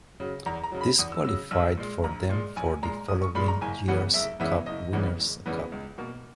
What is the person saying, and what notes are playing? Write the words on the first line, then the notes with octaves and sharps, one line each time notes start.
This qualified for them for the following year's Cup Winner's Cup.
C#3 F#3
E2 A#5
A#5
C#3 F#3
B5
E2 D#6
E6
C#3 F#3 E6
A#1 E6
A#2 G#3
A#1 A#5
A#2 G#3
A#1 G#5
A#2 G#3 A#5
A#1 D#6
C#6
A#2 G#3 B5
A#5
F#1 G#5
E2 C#3 E3 B3 F#5
F#1 E5
E2 C#3 E3 B3 E5
F#1 D#5
E2 C#3 E3 B3
F#1
E2 C#3 E3 B3
C#2
B2 A#3